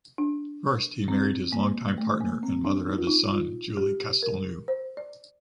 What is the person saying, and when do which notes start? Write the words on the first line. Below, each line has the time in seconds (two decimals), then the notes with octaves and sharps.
First, he married his long-time partner and mother of his son, Julie Castelnau.
0.18 D4
1.08 C4
1.52 A#3
1.98 A3
2.21 A#3
2.43 C4
2.65 D4
2.87 D#4
2.98 F4
3.07 D#4
3.32 F4
3.77 G4
4.23 A#4
4.68 C5
4.97 D5